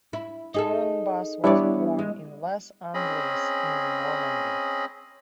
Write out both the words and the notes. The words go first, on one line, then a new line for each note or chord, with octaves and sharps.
Turnebus was born in Les Andelys in Normandy.
E4
D#4 G#4 A4
G3 B3 D4 E4 C#5 D5
G#3
C4 C#4 G#4 D#5 B5